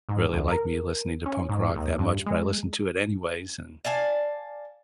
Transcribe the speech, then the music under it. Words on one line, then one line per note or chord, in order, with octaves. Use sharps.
really liked me listening to punk rock that much, but I listened to it anyways, and
G#2
D2
A#4
C#4
G#2
D#2
G2
G#3
D5 F5 G#5 A5